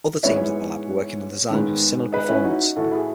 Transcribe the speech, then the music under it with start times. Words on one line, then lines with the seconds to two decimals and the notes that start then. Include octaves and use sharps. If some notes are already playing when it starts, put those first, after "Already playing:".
Other teams at the lab were working on designs with similar performance.
0.23 G#2 E3 B3 C#5 E5
1.50 G#2 D#3 G#3 B3
2.12 B4 D#5
2.28 C#4 E4
2.44 D#4 F#4
2.76 A2 E3 A3 F#4 A4
2.91 E4 G#4